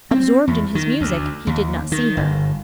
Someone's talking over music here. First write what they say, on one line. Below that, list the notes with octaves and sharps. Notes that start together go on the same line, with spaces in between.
Absorbed in his music, he did not see her.
C4
E2
D#3
D2
D#2
D#3
G1